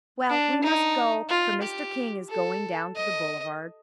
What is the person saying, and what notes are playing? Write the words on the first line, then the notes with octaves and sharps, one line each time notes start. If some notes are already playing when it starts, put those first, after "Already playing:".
"Well, we must go, for Mr. King is going down to the Boulevard."
D4
D#4
F4
G4
A4
D#5